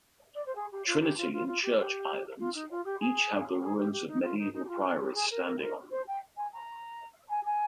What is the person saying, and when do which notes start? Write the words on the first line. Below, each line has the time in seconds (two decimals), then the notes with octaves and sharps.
Trinity and Church Islands each have the ruins of medieval priories standing on them.
0.35 D5
0.46 C5
0.55 G#4
0.72 G4
0.87 F4
1.02 G4
1.17 F4
1.32 F4
1.47 F4
1.62 G4
1.78 G4
2.39 F4
2.54 D#4
2.70 F4
2.85 G4
3.00 G#4
3.62 G#4
3.77 G4
3.92 G4
4.07 D#4
4.23 F4
4.38 D#4
4.53 D#4
4.64 G4
4.68 F4
4.99 G4
5.14 G#4
5.31 A#4
5.45 A#4
5.61 A#4
5.91 C5
6.07 G5
6.37 G#5
6.53 A#5
7.29 G#5
7.45 G#5